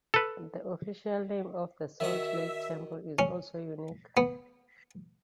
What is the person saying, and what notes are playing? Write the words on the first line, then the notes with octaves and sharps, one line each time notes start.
The official name of the Salt Lake Temple is also unique.
A4 B4
D#3 F#4 E5
C#4
B3